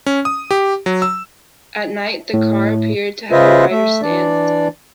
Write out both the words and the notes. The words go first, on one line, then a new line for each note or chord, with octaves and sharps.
At night, the car appeared to have a wider stance.
C#4
D#6
G4
F#3
E6
A2
C#3 F4 B4 C5 D#5 E5
A3 E5
E3 D4 D5